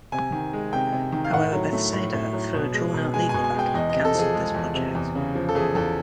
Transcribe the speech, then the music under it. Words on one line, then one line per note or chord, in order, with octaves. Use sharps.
However Bethesda, through a drawn out legal battle, cancelled this project.
C3 G#5
D#3
G#3
C3 G5
C3
D#3
F5
A2 F#5
F#3
A3
A2
A2
F#3
B2
G#3
B2
G#3 G#5
B2 G#5
G#5
G#3 G5
E2 D#5
C3 D#5
A4
F3 G#4
G#3
E2
C3
E2
C#3
F3
A4
E2 G#4
E2 A4